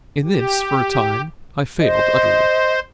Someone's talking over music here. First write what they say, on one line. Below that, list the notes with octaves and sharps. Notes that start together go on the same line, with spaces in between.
In this, for a time, I failed utterly.
G4
C5 D#5